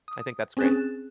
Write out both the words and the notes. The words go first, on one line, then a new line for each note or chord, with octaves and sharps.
I think that's great.
D#6
C4 C#4 G#4 F#6 A6 E7